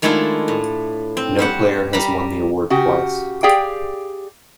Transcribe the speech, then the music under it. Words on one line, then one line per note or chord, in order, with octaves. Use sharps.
No player has won the award twice.
D#3 G#3 A3 D4 E4 F4
A2
C4
G3 C5 F#5
G3 A#5 B5
C#3 F#4 G4
G4 G#4 D5 F5 G5